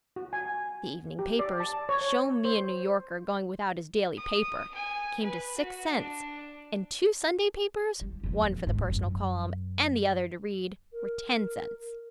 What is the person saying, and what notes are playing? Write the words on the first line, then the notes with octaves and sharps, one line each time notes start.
The evening papers--show me a New Yorker going without his daily paper!--came to six cents; and two Sunday papers--one for the personal column and the other to read--were ten cents.
F#4
G#5
G4
D5
A5
C#5
C5
D#6
G#5
B4
F#4
D4
G3
D#1 F2
G#2
F#2
A#4